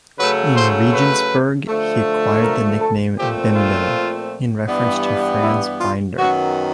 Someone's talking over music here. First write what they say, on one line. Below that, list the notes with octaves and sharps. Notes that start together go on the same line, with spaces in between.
In Regensburg he acquired the nickname "Bimbo" in reference to Franz Binder.
C#3 F#3 A3 C#4 B4
C5
B4
D3 F3 A3
A#4
A4
A#2 F3 A3 C4 G4
F4
G2 E3 G3 B3
E4
F4
F#2 D#3 F#3 B3 F#4